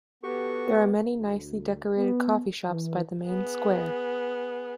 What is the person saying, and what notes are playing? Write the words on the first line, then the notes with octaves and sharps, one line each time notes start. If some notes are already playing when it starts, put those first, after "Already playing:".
There are many nicely decorated coffee shops by the main square.
B3 F#4 G4 A4 C#6
D2
B3
E3
B3 G#4